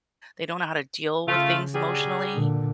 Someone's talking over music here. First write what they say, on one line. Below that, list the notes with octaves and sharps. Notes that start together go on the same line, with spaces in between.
they don't know how to deal with things emotionally,
C#3 A3 F4
F#3 G3 G#4
A#2 D3